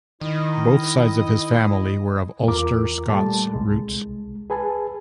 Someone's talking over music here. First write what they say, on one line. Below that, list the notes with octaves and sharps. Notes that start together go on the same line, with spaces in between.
Both sides of his family were of Ulster Scots roots.
D#3 E4 D#5
E2 F4 A#4 D6
A#2 G3 A3 A5
C2 G#3
G#4 B4 G#5 A5